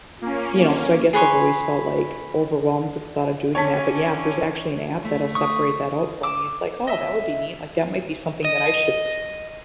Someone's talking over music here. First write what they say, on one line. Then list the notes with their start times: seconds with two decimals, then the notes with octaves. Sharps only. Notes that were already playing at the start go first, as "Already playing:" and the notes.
you know, so I guess I've always felt, like, overwhelmed with the thought of doing that. But, yeah, if there's actually an app that'll separate that out for me, it's like, "Oh, that would be neat," like, that might be something that I should
0.22 A#3 C#4 F4
1.13 G#4 B4 C#5 C6
3.55 D3 C#4 C#5 A5 B6
5.02 A3
5.35 C#6 D#6
6.23 D6 E6
6.87 D#5 E5
8.45 D#5